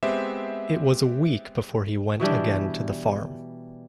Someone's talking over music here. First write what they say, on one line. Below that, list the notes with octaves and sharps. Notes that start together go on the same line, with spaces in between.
It was a week before he went again to the farm.
G#3 B3 C4 G4 C5 E5
B2 E3 G3 D4